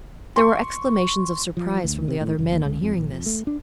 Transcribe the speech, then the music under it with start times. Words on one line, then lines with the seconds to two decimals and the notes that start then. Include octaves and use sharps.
There were exclamations of surprise from the other men on hearing this.
0.36 C6 C#6
1.57 F3
1.84 D2
2.08 C3
2.21 A2
2.39 F#1
2.52 D#2
2.65 C#2
2.82 F2
2.97 A#1
3.11 F2
3.26 A3
3.47 D4